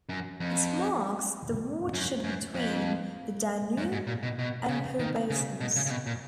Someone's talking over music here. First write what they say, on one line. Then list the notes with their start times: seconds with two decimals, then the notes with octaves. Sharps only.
It marks the watershed between the Danube and Po basins.
0.09 F#2
0.40 F2
1.94 F#2
2.24 F#2
2.54 F2
3.77 F#2
3.92 G#2
4.07 A#2
4.23 B2
4.39 B2
4.69 C#3
4.99 D#3
5.30 C#3
5.61 B2
5.76 C#3
5.86 C#3
5.90 B2
6.07 A#2